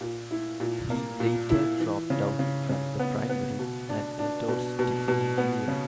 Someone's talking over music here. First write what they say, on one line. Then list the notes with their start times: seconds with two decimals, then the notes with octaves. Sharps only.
He later dropped out from the primary and endorsed Tiffany Yuen.
0.01 A#2
0.31 E4
0.60 A#2
0.90 A#3
1.20 A#2
1.50 E4
1.80 E3
2.10 C#3
2.39 C#3
2.69 C#3
2.99 B3
3.29 B3
3.59 B2
3.89 D4
4.19 D4
4.48 B2
4.79 B2
5.08 B2
5.38 B3
5.68 C#3